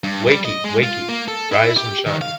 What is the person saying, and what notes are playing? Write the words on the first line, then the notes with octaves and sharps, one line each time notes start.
Wakey, wakey! Rise and shine!
G2
G3
D#5
G#3
F4
A#3
A4
E4
G4
D#3
F5